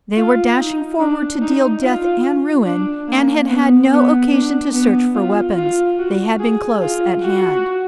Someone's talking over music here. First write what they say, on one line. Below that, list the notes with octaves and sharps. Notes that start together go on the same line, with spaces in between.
They were dashing forward to deal death and ruin and had had no occasion to search for weapons--they had been close at hand.
F4
D#4
D4
D#4
F4
D4
A#3
B3
B3
D4
B3
F4
F4
F#4
G#4
F4
F#4